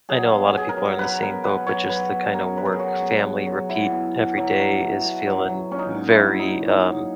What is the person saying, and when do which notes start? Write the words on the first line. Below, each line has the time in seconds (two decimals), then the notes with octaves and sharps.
I know a lotta people are in the same boat, but just the kinda work, family, repeat, every day is feeling very, um,
0.09 F#3 G#4
0.31 B2
0.55 B2 G#4
0.69 A#4
0.77 F#3
0.99 F#3 B4
1.22 B2 A#4
1.44 B2 B4
1.67 F#3 C#5
1.89 F#3 B4
2.11 B2
2.34 B2 A#4
2.56 F#3 B4
2.65 A#4
2.72 G#4
2.79 F#3 F#4
3.02 B2
3.24 B2
3.47 F#3
3.69 F#3 E4
3.92 B2
4.15 B2
4.37 F#3
4.59 F#3
4.81 B2
5.05 B2
5.27 F#3
5.49 F#3
5.71 A#2 C#4
5.79 D#4
5.95 A#2
6.09 E4
6.17 F#3 F#4
6.27 E4
6.39 F#3 D#4
6.61 A#2
6.70 D#4
6.84 A#2